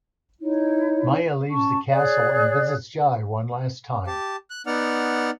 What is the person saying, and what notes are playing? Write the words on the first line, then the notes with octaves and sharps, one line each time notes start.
Maya leaves the castle and visits Jai one last time.
D#4 E4 C#5
C#4 A5 C#6
G#4 C#5 D5 F#6
G4 A5
F#6
B3 D#4 D5 F#5 F6